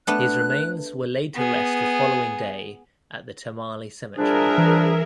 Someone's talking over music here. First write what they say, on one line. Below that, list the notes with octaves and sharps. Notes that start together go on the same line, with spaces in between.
His remains were laid to rest the following day at the Tamale Cemetery.
A3 B3 D4 F#6
B3 G#4
F3 G3 D4 G#4 A#4 E5
E3